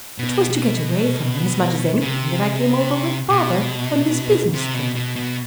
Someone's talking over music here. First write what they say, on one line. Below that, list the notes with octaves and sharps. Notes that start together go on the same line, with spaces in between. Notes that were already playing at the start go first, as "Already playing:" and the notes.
"It was to get away from them, as much as anything, that I came over with father on this business trip."
B2
B2
C#3
C3
B2
C3
B2
B2
B2